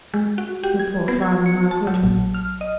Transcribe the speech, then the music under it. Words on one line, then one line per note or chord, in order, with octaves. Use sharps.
Your poor father, Margaret.
G#3
F#4
G4
G#6
B3
G#6
C#7
A5
F#3
A#1
F6
D#5